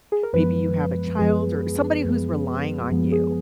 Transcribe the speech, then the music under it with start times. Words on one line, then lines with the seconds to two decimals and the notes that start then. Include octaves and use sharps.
maybe you have a child er somebody who's relying on you,
0.12 G#4
0.23 A#4
0.33 F#2 F3 G#3 B3 B4
1.19 F#2 F3 G#3 B3 G#4
2.05 F#2 F3 G#3 B3
2.91 F#2 F3 G#3 B3
3.12 G#4